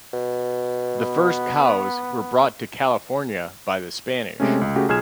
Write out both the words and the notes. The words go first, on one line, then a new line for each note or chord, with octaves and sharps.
The first cows were brought to California by the Spanish.
B2
B3
C3 G#3 A3 C#4
C#2
C#3 A3 F#4 G4
B1 F4 G#4 F6 G#6 E7